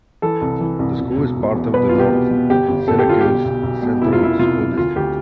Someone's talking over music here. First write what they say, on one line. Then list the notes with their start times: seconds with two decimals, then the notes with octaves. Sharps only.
The school is part of the North Syracuse Central School District.
0.22 E3 A4
0.41 C2
0.60 E3
0.79 C2
0.98 E1
1.17 E1
1.36 E1
1.55 E2
1.74 B2 B4
1.89 C2 F4
1.99 G4
2.12 B2
2.31 B2
2.50 G1 G4
2.69 G1
2.88 G1 A4
2.99 G4
3.07 G1 F4
3.21 B1 G4
3.45 B1
3.63 B1
3.82 B2
4.01 F1 E4
4.13 F4
4.20 C3 E4
4.39 C3 F4
4.58 F1
4.77 D2 F4
4.96 D2 G4